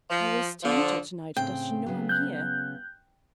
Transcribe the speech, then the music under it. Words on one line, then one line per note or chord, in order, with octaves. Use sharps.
"I was to meet her to-night; does she know I'm here?"
F3
D3 F3
A2 C#3 C4 G5
C#3 F#3 B3
F#6 G6